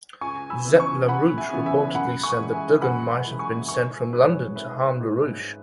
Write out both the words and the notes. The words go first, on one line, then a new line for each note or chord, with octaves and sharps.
Zepp-LaRouche reportedly said that Duggan might have been sent from London to harm LaRouche.
C#2 G#5 C#6
B5 E6
C#3 E3 B3
G#5 C#6
C#2 F#5 B5
E5 G#5
C#3 E3 B3
E5 G#5
F#2 F#5 B5
G#5 C#6
E3 G#3
E5 G#5
F#2 F#5 B5
F#5 B5
E3 G#3
G#5 C#6
G#1 G#5 C#6
G#2 G#3 B4 C#5
B4
G#1 B4 E5
G#2 G#3